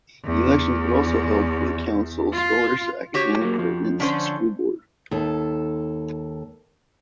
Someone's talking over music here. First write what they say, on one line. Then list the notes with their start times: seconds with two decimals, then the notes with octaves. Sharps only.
Elections were also held for the Conseil scolaire acadien provincial school board.
0.26 E2
2.33 F4
3.14 F#4 G4 C#5
3.42 F#3 A#3
3.58 F2 F3
4.00 D3 F3 C#4 D4 C5
5.11 D#2 A4